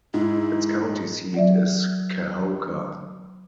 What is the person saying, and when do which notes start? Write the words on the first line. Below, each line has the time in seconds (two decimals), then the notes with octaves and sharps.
Its county seat is Kahoka.
0.14 G#2 E4
1.34 F#3 D5 E5